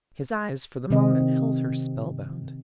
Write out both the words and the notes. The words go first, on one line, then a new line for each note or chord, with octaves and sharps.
His eyes for the moment held her spellbound.
C3 D#3 C4 D#5